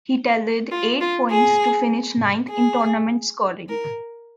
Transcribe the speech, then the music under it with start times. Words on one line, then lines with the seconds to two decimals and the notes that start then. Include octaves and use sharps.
He tallied eight points to finish ninth in tournament scoring.
0.71 F4
1.01 F4
1.31 G#4
2.50 G#4
3.69 A#4